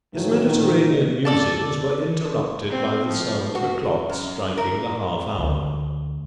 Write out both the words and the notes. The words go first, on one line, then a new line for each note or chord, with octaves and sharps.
His Mediterranean musings were interrupted by the sound of a clock striking the half-hour.
G#2 D#3 E3 F#3 A3
A#2 D#3
A4 D5 A5
C4
F3
F#4
F#2
A#4
D2